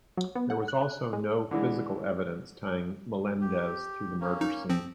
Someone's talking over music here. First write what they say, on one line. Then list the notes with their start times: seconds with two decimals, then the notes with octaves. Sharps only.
There was also no physical evidence tying Melendez to the murder scene.
0.17 F#3
0.35 B3
0.50 F#5
0.68 F#6
1.13 G#3
1.51 D3 E3 G#3
3.41 G4
4.21 A#3 C#4
4.41 D#4
4.69 F3 C4